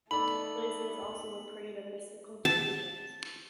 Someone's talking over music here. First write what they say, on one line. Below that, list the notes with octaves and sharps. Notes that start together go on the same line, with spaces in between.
Liz is also a prey to mystical delusions.
A3 B3 D#4 A4 D5 B5 F#7
A5